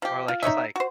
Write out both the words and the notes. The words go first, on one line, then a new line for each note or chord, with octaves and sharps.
Or, like, just, like,
F3 G4
F4
D#4 C#5 D#5 E5
F#4 C5